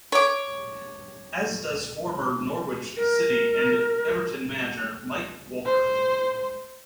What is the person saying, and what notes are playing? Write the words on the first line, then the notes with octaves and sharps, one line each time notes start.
As does former Norwich City and Everton manager, Mike Walker.
C#5 D6
A#4
C5